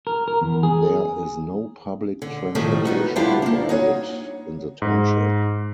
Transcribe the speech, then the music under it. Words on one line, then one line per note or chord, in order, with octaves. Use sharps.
There is no public transportation provided in the township.
A#4
A#4
E2
G#4
D3
A2 D#3 F3 G3 A3
B3 D#4 F#4
G3 B3 D4 E4 F4 G4
A#3 D4
D#4 F#4 C#5
G#2